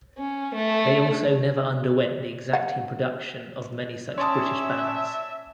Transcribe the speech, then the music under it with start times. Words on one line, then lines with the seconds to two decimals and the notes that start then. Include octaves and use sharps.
They also never underwent the exacting production of many such British bands.
0.18 C#4
0.56 A3
2.53 F5 F#5
4.18 C#4 C#5 D5 E5 A5 C6 D#6